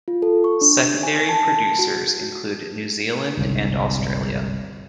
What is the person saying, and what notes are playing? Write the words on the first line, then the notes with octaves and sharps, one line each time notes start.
Secondary producers include New Zealand and Australia.
F4
A4
C#6
D4
G#5
A5
F#4
G1 C2 G#2